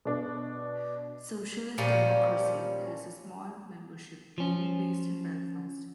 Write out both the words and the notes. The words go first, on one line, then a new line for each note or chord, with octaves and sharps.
Socialist Democracy has a small membership mainly based in Belfast.
B2 D4
A#2 F3 G3 C#4
F3 C#4